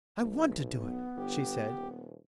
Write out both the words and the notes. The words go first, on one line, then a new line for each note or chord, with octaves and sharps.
"I want to do it," she said.
B1
B3
G1 G4
D#1